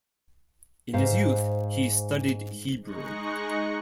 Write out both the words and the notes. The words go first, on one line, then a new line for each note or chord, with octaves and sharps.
In his youth, he studied Hebrew.
G#2 C5 F5
G#3 D#4 C#6 F#6 A#6 C#7